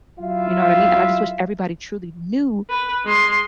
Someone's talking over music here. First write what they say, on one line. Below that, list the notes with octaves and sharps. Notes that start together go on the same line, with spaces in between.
You know what I mean? And I just wish everybody truly knew
F#3 E4 F4 E5 F5
B4
G#3 C6